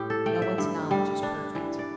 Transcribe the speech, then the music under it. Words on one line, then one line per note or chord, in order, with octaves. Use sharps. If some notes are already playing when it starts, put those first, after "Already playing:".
No one's knowledge is perfect.
Already playing: A2 G4
A4
A3 G5
E5
G2
G3
D4
E3
D5